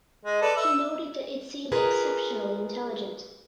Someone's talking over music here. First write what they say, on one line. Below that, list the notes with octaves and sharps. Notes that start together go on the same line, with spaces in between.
He noted that it seemed exceptionally intelligent.
G#3
A4 B4 D5
E5 E6
F4 G#4 A#4 B4